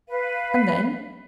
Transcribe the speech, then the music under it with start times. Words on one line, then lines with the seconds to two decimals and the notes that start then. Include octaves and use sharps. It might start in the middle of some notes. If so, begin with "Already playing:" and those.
"And then?"
0.08 B4 F5